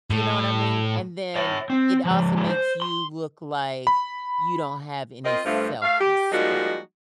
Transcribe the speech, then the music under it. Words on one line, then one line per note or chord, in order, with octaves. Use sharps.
Do you know what I mean? And then it also makes you look like you don't have any self-respect.
A2
C#5 E5
C4
F3 G#3
F3 G#3
C5
C6
B5
C4 F4 A#4 C5 D#5
G2 F3 A3
A3 F5
G4
F3 G3 G#3 A#3 D#4 F#4